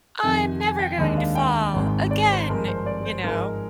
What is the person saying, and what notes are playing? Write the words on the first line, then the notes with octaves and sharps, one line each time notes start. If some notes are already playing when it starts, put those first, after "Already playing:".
"I'm never going to fall again." You know?
F2 C3 D#3 G#5
G#5
G5
D#2 D#3 G#3 D4 D#5
F5
G5
G#1 G#2 D#3 G#3 C4
D5
C5
G2 F3 G#3 A#4
C5
D5
C5
G#2 F3 G#3 A#4